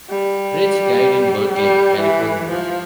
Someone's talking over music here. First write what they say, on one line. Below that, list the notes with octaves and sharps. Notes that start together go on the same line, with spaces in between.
Birge died in Berkeley, California.
G3
G3
E3
F3